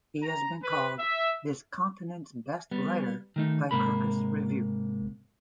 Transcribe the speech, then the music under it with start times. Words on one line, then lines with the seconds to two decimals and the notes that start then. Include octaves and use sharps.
He has been called "this continent's best writer" by Kirkus Review.
0.23 A#5
0.63 B4
0.99 E5
2.71 G3 B3
3.36 D#3 A3 D#4
3.71 G#2 C3 A#3 A#4 B5